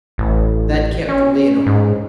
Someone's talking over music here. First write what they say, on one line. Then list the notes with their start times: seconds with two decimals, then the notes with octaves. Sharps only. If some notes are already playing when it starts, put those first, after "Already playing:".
That kept the lid on.
0.18 A1
1.09 C#4
1.66 G#2